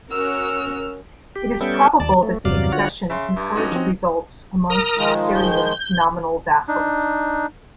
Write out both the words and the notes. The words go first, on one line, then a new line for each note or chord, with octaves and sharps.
It is probable that the accession encouraged revolts amongst Assyria's nominal vassals.
C#4 F#4 A#4 E6 F6
G4
G3 B3 C#4 A4 E5 G5
D#2 D5 A5
A3
E2 G2 C3 F#3 D5 F5
D3 F4 F#4 C#5 F#5
C#3 E5 C6
G2
C#4 D#4 F#4
F3 C4
A#4 A#5 D#6
D#3 F3 G#3
G6
D4 D#4